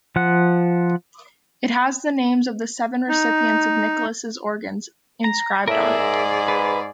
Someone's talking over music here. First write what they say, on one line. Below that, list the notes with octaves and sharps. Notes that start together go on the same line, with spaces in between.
It has the names of the seven recipients of Nicholas' organs inscribed on it.
F3 F#5
D#4
A#5
A2 G#4 A#4 D5 E5
G#2
B4